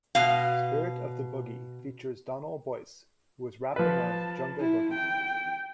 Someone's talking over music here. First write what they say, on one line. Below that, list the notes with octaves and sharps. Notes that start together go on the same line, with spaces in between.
"Spirit of the Boogie" features Donal Boyce, who was rapping on "Jungle Boogie".
B2 F5
F3 B4 A5
E4
G5